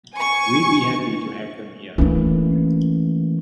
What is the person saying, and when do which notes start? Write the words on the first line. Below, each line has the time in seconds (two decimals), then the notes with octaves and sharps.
We'd be happy to have them here.
0.16 G#5 C#6
1.98 E3 A3 A#3 C#4 D4